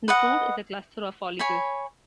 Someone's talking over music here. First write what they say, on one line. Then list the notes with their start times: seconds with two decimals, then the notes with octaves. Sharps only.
The fruit is a cluster of follicles.
0.08 B4 D#5 F#5
1.39 C#5 G#5 B5